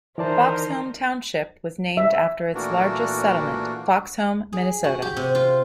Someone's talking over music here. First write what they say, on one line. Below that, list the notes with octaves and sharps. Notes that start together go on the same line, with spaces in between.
Foxhome Township was named after its largest settlement, Foxhome, Minnesota.
D#3 E3 D#4 A#4 C5 D5 A5
E5
A#2 E3 A3 A#3 D4 F#4
G#4
F#4
G4
C3
F4